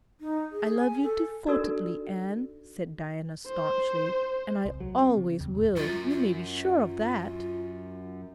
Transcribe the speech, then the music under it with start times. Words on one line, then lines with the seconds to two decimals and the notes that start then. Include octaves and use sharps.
"I love you devotedly, Anne," said Diana stanchly, "and I always will, you may be sure of that."
0.21 D#4
0.52 G#4
0.78 G#5
1.03 A4
1.47 D4 D#4 F#4 A4 A#4 D5
3.47 C5
4.65 C2
4.80 F#3
4.99 C4
5.17 C#3
5.41 E2
5.55 D1
5.77 F#2 F#3 F4
6.11 F4